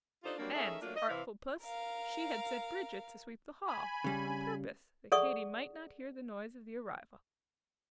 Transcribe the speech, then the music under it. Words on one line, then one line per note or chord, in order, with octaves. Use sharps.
And, artful puss! she had set Bridget to sweep the hall, on purpose that Katy might not hear the noise of the arrival.
D4 D#4 F4 G4 A4 C5
F#3 G3 A#3 C4 D4
A3 C#4 D#4 G#4 A#4 E5
F#3 A3 A#3 D4 F4
D#5
C3 E3 F5
A#4 F5
G#5 B5
C#3 G3
G#4 A4 D5 F#5 C#6 D#6